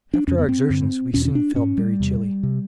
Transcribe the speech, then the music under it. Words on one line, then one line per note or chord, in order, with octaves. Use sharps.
After our exertions we soon felt very chilly.
D4
F2 C#3 C#4
B3
C4
G2 D3
E2 B2 C#4
C#4
D4
G#2 C#4
G3
E2 C3
C3